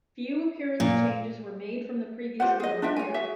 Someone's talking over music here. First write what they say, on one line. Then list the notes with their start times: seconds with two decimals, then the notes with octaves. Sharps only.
Few appearance changes were made from the previous model year.
0.80 A#2
2.40 F4 G4 C5 F#5
2.60 G#4 D#5
2.82 D4 F4 E5 G5
2.96 C#5 G#5
3.14 F#4 G#4 E5